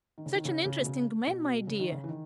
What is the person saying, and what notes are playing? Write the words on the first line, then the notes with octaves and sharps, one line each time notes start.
Such an interesting man, my dear.
D#3
C#3
D#3
C#3
C#3
B2
C#3
B2
C#3
D#3
C#3
E3
D#3